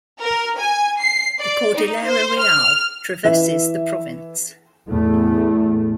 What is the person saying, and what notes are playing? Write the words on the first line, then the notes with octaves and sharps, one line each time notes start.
The Cordillera Real traverses the province.
A#4
G#5
C7
D5
D#4
C5
F6
E3 E5
E2 A2 A3